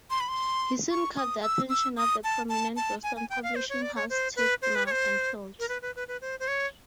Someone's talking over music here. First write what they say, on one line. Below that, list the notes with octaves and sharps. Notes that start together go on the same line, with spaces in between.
He soon caught the attention of the prominent Boston publishing house Ticknor and Fields.
C6
B5
C6
C#6
D#6
E6
E6
D#6
A5
A5
A5
G#5
G#5
G5
F5
C5
C#5
D5
C#5
C5
B4
C5
B4
C#5
C5
A#4
B4
B4
B4
B4
C5
C5
C#5